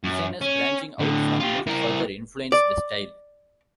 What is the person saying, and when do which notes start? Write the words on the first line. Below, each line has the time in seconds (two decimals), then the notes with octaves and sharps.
Designers branching out from Milk further influenced the style.
0.03 F#2
0.41 C#4
0.99 A2 D3
1.40 F4 G4
1.67 E4 A#4
2.52 D5